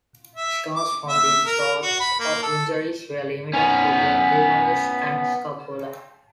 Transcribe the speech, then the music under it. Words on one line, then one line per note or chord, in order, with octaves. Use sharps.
Scars from these sorts of injuries were limited to the humerus and scapula.
E5
D6
E5
A#4
F#4
B5
A#3
A4
B3 C#4